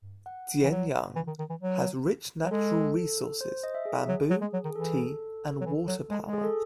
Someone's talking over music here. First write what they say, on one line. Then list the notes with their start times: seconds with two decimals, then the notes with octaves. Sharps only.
Jianyang has rich natural resources: bamboo, tea and water power.
0.26 F#5
0.63 E3
0.72 F#3
1.16 E3
1.27 D#3
1.39 D#3
1.50 E3
1.61 F#3
2.45 F#3
2.51 G#3 A4
3.41 C5
3.63 D#5
3.75 E5
3.85 G#4
4.08 F#3
4.30 F#3
4.42 G#3
4.53 F#3
4.65 D#3
4.70 G#4
4.75 E3 A4
5.61 F#3
5.66 E3
5.88 F#3
6.10 G#3
6.26 G#3
6.33 G#4
6.44 A4